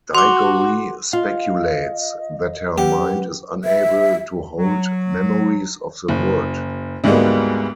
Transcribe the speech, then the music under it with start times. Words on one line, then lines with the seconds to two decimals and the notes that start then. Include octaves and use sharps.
Digory speculates that her mind is unable to hold memories of the Wood.
0.15 F#4 C6 D6
1.13 F4 D#5 F5
2.78 F#2 G4 B4 F#5
3.64 E5
4.58 F#3
6.08 F#1
7.04 D2 G#2 G3 G#3 A#3 B3